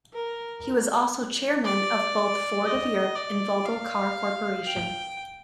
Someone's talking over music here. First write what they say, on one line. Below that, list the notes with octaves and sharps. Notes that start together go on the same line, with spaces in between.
He was also chairman of both Ford of Europe and Volvo Car Corporation.
A#4
D5
D#5
D5
F5
G5